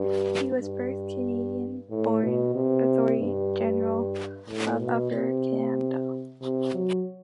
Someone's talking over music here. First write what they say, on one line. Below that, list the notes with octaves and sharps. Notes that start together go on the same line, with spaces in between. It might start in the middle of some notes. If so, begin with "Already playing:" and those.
He was the first Canadian-born attorney general of Upper Canada.
Already playing: G2
G2
A2
B2
C3
G2
A2
B2
C3
C3
F#3